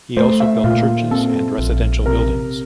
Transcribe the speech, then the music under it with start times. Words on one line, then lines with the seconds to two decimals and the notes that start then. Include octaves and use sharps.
He also built churches and residential buildings.
0.17 A3 C5
0.40 E5
0.64 A#2 F4
1.11 C4 A4
1.59 A#1
2.06 C3 A#4